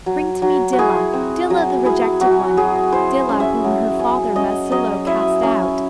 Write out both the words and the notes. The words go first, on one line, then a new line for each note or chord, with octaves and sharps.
Bring to me Dilah, Dilah the rejected one, Dilah, whom her father Masilo cast out!
F#3
F#3
F#4
E4 G#4
C4
F#3 F#4
E4 G#4
F#3 F#4
F#3 G#4
E4 C5
C#4
E5
F#3
C#4
C#4 D#5
F#3 D#5
E4 E5
C#4